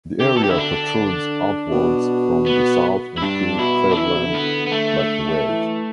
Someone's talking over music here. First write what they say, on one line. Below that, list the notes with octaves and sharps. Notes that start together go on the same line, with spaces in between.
The area protrudes outwards from the south into Cleveland like a wedge.
D3 G4
B2 A4
G4
D3 E4
D4
B2
B3
E4
G2 D4
B2 E4
D4
E3 E4
D3
B2
D3
B3
B3
A3
E3